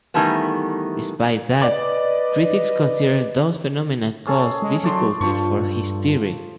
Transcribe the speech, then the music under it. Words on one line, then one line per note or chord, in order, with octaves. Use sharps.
Despite that, critics consider those phenomena caused difficulties for his theory.
D#3 E3 G3 A3 B3
B4 D5 D#5
C#4 G#4 A4
G#3
F#3 A3 D5 C6
G2 F3 C#6